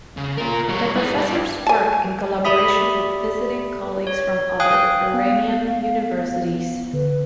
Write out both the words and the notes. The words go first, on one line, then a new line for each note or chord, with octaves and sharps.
The professors work in collaboration with visiting colleagues from other Iranian universities.
C#3
F4 A#4
G3 C#5
E4 G#4
D4 G4
G#5 A5
G4 D5 E5 B5 D#6 B6
C#5
F5 G5 G#5 D#6 F#6
B3 F5
D3 B4